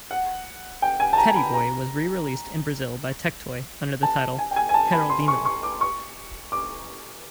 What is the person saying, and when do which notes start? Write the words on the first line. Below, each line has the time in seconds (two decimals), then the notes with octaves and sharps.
"Teddy Boy" was re-released in Brazil by Tectoy under the title "Geraldinho".
0.11 F#5
0.82 G5
1.00 G#5
1.13 A5
1.18 A#5
1.36 B5
1.54 A#5
4.03 A5
4.39 G#5
4.51 G5
4.56 G#5
4.69 G#5
4.74 A5
4.92 B5
5.09 C6
5.28 C#6
5.45 C#6
5.63 D6
5.81 C#6
6.52 D6